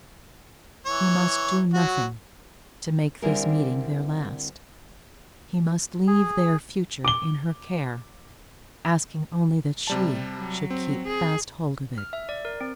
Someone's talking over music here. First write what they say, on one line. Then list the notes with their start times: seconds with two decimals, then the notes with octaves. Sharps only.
He must do nothing to make this meeting their last; he must leave their future in her care, asking only that she should keep fast hold of it.
0.86 E3 C#5
1.74 F#3 F#4
3.22 D3 G3 C4 E4 G#4 A#4
6.08 G#4
7.05 D6 G7
9.87 C3 G3 A5
10.38 F#3
10.70 C4
11.08 G#4
11.98 F6
12.13 E5
12.29 D5
12.45 A#4
12.61 C4